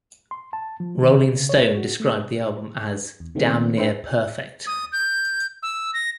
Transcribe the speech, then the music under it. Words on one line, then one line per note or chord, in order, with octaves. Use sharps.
Rolling Stone described the album as 'damn near perfect.
C6
A5
F3
D#3
D3
C#3
C#5
F#4
A3
E2
C3 D#3 A3 B3 C4
D4 B4 C5 D5 E5 G5
D#6
G6
E6
A#6